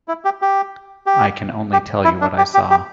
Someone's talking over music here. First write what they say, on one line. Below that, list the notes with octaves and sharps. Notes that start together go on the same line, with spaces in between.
I can only tell you what I saw.
E4
G4
G4
G4
G4
E4
D4
G4
G4
G4